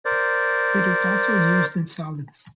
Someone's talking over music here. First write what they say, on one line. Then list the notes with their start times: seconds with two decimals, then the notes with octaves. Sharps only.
It is also used in salads.
0.05 A#4 C5 D5